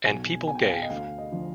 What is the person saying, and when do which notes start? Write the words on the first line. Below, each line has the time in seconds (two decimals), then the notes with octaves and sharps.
And people gave.
0.05 B1 G#5
0.47 B2 G#5
0.55 G5
0.63 F5
0.71 G5
0.82 D#5
0.90 D2 F5
1.18 D#5
1.32 D3 F3